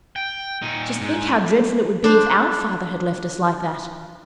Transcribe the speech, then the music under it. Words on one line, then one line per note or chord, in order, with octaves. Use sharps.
"Just think how dreadful it would be if OUR father had left us like that!"
G5
A#2 D#4
G#2
D4 C5